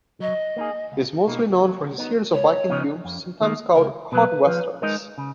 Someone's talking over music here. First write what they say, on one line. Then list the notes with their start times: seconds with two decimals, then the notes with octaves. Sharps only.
He is mostly known for his series of Viking films, sometimes called "Cod Westerns".
0.20 F#3 D#5
0.56 A#3 D#4 G#4
0.92 C#2
1.27 B2 A#3 D#4
1.63 F#3
1.98 B3 D#4
2.33 C#2 C#5
2.69 C#3 F3 B3 D#4
3.05 F2
3.41 D#3 A#3
3.75 C#2 A#4
4.12 B2 F#3 B4
4.47 F3
4.82 G#3 D#4 A#4 D#5
5.18 C#3